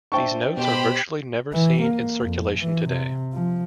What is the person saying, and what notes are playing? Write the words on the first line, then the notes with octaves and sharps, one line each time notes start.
These notes are virtually never seen in circulation today.
D4 C5 E5 G5 A5 C#6
B2 G4 C5 B5
E3
A#3
F2
E3
C3
F3